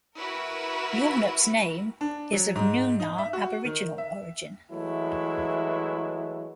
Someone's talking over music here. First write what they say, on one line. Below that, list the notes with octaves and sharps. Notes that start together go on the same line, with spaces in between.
Yornup's name is of Noongar Aboriginal origin.
E4 F#4 A#4 B4
D4
F#3
G#2
D#4
E5
F#4
D#3
E5
E3 F#3 G#3 A3 E4